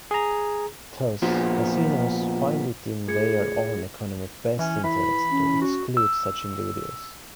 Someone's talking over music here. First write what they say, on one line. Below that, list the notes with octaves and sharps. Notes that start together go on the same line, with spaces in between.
Thus, casinos find it in their own economic best interest to exclude such individuals.
G#4 A#5
A#2 F3 B3
A3 F4 G#4 G#6 C#7
E3 C#4
E3 B5
C#4
F#4
E6